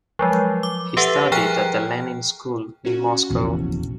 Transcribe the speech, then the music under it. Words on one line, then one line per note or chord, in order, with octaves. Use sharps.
He studied at the Lenin School in Moscow.
F3 F#3 G#3
D6
G4 A4 B4 E5 F#5
F3 G#4 G5 A#5 F6 F#6
C#4 F#4
F1 A#1 E2